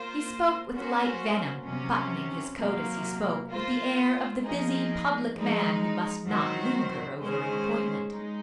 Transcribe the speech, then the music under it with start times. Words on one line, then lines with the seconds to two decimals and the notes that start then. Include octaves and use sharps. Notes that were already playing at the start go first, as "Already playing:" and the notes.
He spoke with light venom, buttoning his coat as he spoke with the air of the busy public man who must not linger over an appointment.
Already playing: A#3 F4 C5
0.74 A#3 C#4 F#4 C5
1.65 C3 F#3 C#4
2.58 C3 F#3 A#3
3.50 A#3 F4 C5
4.43 F3 A#3 D#4 G#4
5.35 F3 G#3 D#4
6.27 D#3 F#3 C4 F#4 C5
7.19 D#3 G#3 C#4 G#4 C5
8.11 G#3 D#4